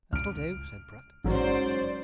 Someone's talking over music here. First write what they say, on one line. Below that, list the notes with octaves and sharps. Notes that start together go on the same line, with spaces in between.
"That'll do," said Pratt.
C#2 F6 D7
A1 G#2 F#3 C#4 C5 D5